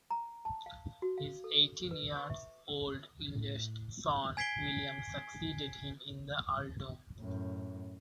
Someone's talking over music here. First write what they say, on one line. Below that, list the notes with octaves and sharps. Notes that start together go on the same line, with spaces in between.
His eighteen-year-old eldest son William succeeded him in the earldom.
A#5
A5
F5
F#4
F5
A4
B4
C#6
E5
A2
G#5 G#6 B6 C7 D7 G7
F#2 A2